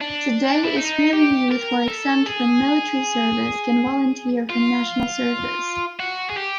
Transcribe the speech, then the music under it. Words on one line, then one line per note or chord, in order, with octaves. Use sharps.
Today, Israeli youth who are exempt from military service can volunteer for national service.
D4
E4
D#4
G4
A#4
A4
G#4
F4
F#4
G#4
G4